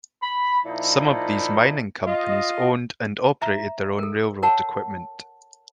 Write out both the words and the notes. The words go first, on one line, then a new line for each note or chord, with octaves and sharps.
Some of these mining companies owned and operated their own railroad equipment.
B5
A#2 F3 D#4 E4
F4 D#5
E5 A#5
A4 A#4
A#4 C#5 F#5 A5